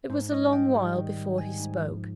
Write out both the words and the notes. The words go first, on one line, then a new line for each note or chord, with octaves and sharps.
It was a long while before he spoke.
G#2 C5
G#2 D#5
G3 G5
G3
D#3
D#3
G#2 G#5
G#2
F3